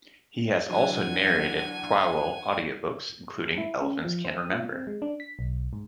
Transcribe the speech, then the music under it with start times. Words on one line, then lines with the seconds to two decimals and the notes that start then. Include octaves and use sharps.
He has also narrated "Poirot" audiobooks, including "Elephants Can Remember".
0.69 D3 E3 F#3 D4 F#5 G#5
3.58 E4
3.81 C#4
4.04 F3
4.25 C5
4.38 D#6
4.52 F4
4.73 C4
4.87 G#3
5.02 D4
5.20 B6
5.39 B1
5.73 G#2